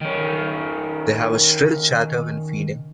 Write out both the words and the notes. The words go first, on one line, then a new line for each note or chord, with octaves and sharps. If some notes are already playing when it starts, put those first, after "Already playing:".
They have a shrill chatter when feeding.
D#3 C#4